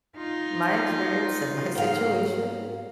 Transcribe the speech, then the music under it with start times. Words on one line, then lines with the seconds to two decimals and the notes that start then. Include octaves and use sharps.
my experience and my situation,
0.17 D#4 F4
1.75 G#2 F5